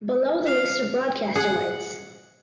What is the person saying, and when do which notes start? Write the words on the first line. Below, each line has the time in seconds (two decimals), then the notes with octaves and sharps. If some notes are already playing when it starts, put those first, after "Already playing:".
Below the list of broadcasting rights.
0.46 F5
1.36 G#4 F#5